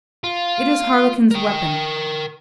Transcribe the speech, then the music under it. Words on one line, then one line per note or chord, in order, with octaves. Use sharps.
It is Harlequin's weapon.
F4
A#4 G5